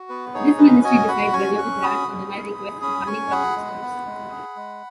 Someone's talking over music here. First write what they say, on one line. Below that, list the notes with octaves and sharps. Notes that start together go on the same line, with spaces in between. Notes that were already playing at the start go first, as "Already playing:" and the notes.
This ministry decides whether to grant or deny requests for funding by ministers.
Already playing: F#4
B3 B4
D#4 G#4 C#5
C#4 B4 D#5
F#4 D#5 G#5
F#4 F#5 B5
C#4 G#5 C#6
C#4 C#6 F#6
F#4 B5 D#6
C#4
G#4
G#4
C#4 B5 D#6
C#4 G#5 C#6
G#4 F#5 B5
G#3
B3
G#3
G#4
G#3